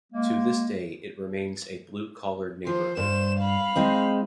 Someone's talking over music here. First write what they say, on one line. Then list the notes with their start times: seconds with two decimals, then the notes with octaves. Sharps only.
To this day it remains a blue collar neighborhood.
0.12 G#3 A#3
2.67 F3 C5
2.97 G2 C5 E7
3.39 F5 B5
3.76 G#3 C4 D#4